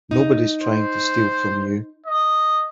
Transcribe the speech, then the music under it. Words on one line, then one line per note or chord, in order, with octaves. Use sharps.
Nobody's trying to steal from you.
D#4
C5
D#5